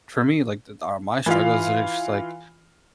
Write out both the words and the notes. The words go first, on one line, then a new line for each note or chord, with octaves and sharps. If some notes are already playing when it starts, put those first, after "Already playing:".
for me, like, the th are my struggles are just like
E3 F4 F5